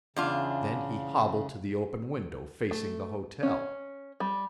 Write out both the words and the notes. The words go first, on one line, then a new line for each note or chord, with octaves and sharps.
Then he hobbled to the open window facing the hotel.
E2 C#3 D4 F4
A3
C#4
G3